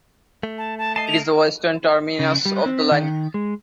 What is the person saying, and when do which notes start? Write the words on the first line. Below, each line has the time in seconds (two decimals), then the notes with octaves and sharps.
It is the western terminus of the line.
0.43 A3
0.58 A5
0.78 A5
0.96 D#5 A5 C7
1.08 F7
2.19 C#3
2.45 G3
2.66 C4
2.91 D#3
3.34 G#3